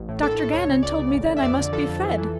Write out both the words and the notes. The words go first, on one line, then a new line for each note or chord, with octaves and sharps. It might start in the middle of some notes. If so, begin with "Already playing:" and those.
Dr. Gannon told me then I must be fed.
Already playing: A1
A2
A#1 A4
A2 A4
C#2 C#5
C#3
C#2 D5
C#3
A1
A2
E5
F2 D5
D3
F3 A4
F2
E3
E3